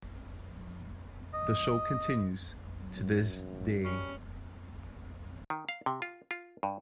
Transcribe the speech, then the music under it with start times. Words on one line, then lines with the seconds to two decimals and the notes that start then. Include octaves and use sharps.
The show continues to this day.
1.34 D#5
2.97 F#2
3.84 G3 C#4
5.50 D#3
5.69 F5
5.86 C3
6.02 F4
6.31 F4
6.63 G2